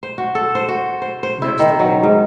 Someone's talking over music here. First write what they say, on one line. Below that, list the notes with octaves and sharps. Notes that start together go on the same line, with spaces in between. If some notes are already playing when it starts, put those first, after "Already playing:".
"Next the road?"
C5
F#4
A4
C5
F#4
C5
C5
E4
D#3
F#3
G#2